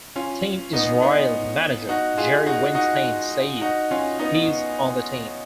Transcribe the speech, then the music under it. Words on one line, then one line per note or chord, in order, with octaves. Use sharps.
Team Israel Manager Jerry Weinstein said: He's on the team.
C#4 F4
B3 D#4
B3 D#4
D#4 F#4
F4 G#4
D#4 F#4
D#4 F#4
D#4 F#4
C#4 F4
B3 D#4